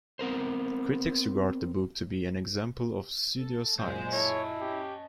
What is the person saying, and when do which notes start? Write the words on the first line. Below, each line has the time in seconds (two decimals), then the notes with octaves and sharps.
Critics regard the book to be an example of pseudoscience.
0.19 B3 C4 A#4 C5
3.37 A4
3.79 F#2 A#2 G#3 C5
4.13 E4 C#5 D#5 A5
4.61 C#4 G4